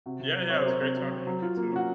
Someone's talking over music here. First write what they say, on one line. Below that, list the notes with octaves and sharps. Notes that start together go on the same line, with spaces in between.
Yeah, yeah. It was great talking with you, too.
C3 F#4
C3
F#3
C4 C#5
C5
C3 A#4
C3
F#3
C4
F#3
F4
A#3
C#4 F#4